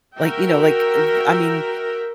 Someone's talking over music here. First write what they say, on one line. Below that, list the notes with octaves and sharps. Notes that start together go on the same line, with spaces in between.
Like, you know, like, eh, I mean,
F#4 A#4 E5 G5